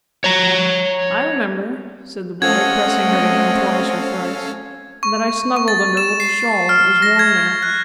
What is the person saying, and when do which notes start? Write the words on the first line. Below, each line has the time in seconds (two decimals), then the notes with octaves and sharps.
'I remember,' said the boy, pressing her to him twice or thrice, 'that I snuggled under a little shawl, and it was warm there.'
0.24 C#5 A#5
2.42 A3 C4 C#4 A4 D#5 F5 F#5 G#6
5.03 C#6
5.57 C#6
5.68 A6
5.97 E7
6.20 C7
6.69 F6
7.02 A#6
7.19 G#6
7.63 F#6